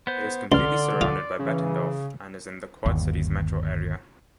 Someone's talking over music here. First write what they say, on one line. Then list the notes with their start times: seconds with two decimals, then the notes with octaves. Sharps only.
It is completely surrounded by Bettendorf, and is in the Quad Cities metro area.
0.07 B3 C5
0.52 C#2 D3 D5 C6 F6
1.01 F4
1.39 C#3 E3
2.86 G1 D#2